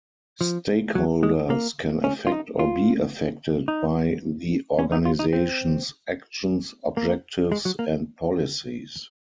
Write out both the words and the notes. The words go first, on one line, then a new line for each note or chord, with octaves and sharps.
Stakeholders can affect or be affected by the organization's actions, objectives and policies.
F3
F#3
G#3
A#3
C#4
F4
D#4
F4
D#4
C#4
D#4
F4
D#4
C4
A#3
G#3
F#3
A#3